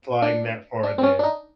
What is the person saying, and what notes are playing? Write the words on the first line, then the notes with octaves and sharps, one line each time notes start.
flying that far then.
D4
D4
C4
C#4
D4
D#4